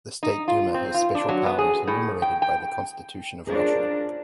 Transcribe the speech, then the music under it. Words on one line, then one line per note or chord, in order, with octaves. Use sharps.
The State Duma has special powers enumerated by the Constitution of Russia.
D#4
F4
C4
F4
D4
F#3
B3
G#4
A2
G5
G5
D4 F4 G#4 A#4 C5 C#5